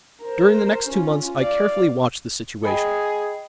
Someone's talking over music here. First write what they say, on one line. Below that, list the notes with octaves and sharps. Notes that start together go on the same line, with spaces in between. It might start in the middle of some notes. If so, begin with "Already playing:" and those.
During the next two months I carefully watched the situation.
A#4 C5
C#4 F4
D5 F5
G#4 D#5 G5 B5